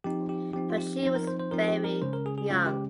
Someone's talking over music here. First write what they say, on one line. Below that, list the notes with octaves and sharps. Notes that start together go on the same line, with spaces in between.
But she was very young.
F3 C4 D#4 G4
G4
F3 C4 D#4 G4
F4
G4
F3 C4 D#4 C5
A#4
C5
C5
F3 C4 D#4 A#4
G4
A#4
C#3 G#3 C#4 C5
A#4
G#4
G#4
C#3 G#3 C#4 F4
G4